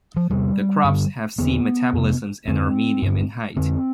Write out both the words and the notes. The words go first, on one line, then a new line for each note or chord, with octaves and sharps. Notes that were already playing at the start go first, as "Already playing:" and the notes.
The crops have C metabolisms and are medium in height.
F3
E2 C3 G3
G2 D3
E2 D3 B3
F2 C3
F2 D3 C4
G2 D3
F2 D3 C4